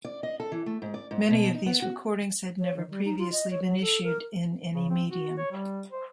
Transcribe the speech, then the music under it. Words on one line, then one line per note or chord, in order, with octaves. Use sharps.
Many of these recordings had never previously been issued in any medium.
D5
D#5
A4
E3
A3
G#2
D5
G#2
B2
D#4
B3
F#4
C#5
D#3
G3
D#4
F4
D#5
C#5
F#3
A4
A#4
C#3
C4
F#4
C#5
G3
C5